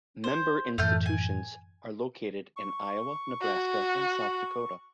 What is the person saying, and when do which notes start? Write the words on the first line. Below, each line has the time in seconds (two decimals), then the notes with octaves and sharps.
Member institutions are located in Iowa, Nebraska and South Dakota.
0.24 C5
0.78 F#2 A2 E3 A3 F6 G6
1.06 G#5
2.56 C#6
3.41 F#4